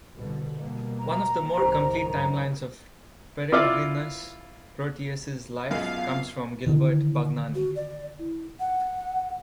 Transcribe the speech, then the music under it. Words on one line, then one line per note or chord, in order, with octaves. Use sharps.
One of the more complete timelines of Peregrinus Proteus' life comes from Gilbert Bagnani.
C2 B2 D3
B2 G3 A#3
A#5
G1 C2 D#3 G4 C5
F#2 D#3
E4 F4 D5 E5 F5 D6
F#2 G#3 B3 F4 F#4 F5
D3 D#3 E4
F#4
D5
E4
F#5